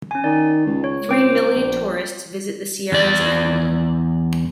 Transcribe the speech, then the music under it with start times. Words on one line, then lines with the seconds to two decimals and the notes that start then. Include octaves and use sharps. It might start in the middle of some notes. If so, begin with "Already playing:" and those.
Three million tourists visit the Sierras annually.
0.11 C#4 G#5
0.24 D#3 D5
0.66 C#2
0.84 C#5
1.09 C#2 C5 G5 D6
1.54 A#1
2.92 E2 D5